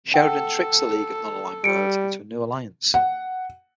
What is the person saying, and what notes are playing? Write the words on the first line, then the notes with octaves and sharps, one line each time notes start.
Sheridan tricks the League of Non-Aligned Worlds into a new alliance.
A4 F#5 G5
G3 C#7 D7
F#5